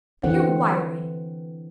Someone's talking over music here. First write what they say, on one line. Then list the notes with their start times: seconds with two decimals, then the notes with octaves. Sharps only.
But you're wiry.
0.23 D3 E3 C4 F#5